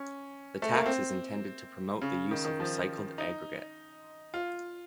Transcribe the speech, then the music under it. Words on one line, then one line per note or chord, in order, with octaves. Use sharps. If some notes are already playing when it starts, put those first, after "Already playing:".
The tax is intended to promote the use of recycled aggregate.
Already playing: C#4
A3
A#3
C4
C#3
D#3
D#3
F3
D#4
F4